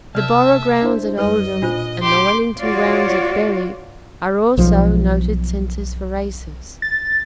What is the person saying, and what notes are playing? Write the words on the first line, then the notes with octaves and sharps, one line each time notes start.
The Borough grounds at Oldham and the Wellington grounds at Bury are also noted centres for races.
C3 A#4 D5 E5 A5 F6
D4 E4 C5
F#2 G3 D#4 B4 C#5 D#5
A#2 D4 F4 C5
G4 C6 D6
F4 F#4 C#5 D5
B1 F3
A6